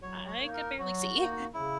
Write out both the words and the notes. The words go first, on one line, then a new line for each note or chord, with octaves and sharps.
I could barely see.
F#3 C#5
C#5
A#3 D#4
A#4
F#3 F#4
A#3 D#4
C#3 E4